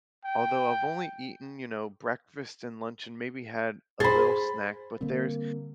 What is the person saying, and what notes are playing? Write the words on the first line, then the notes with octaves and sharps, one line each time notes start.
although I've only eaten, you know, breakfast and lunch and maybe had a little snack, but there's
G5
G#4 C5 B5 A6
D3 G3 A#3 C4